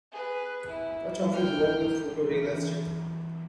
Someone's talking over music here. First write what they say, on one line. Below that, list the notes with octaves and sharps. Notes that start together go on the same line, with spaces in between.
Much of his work is photorealistic.
G#4 B4
E4
G5 F6
E3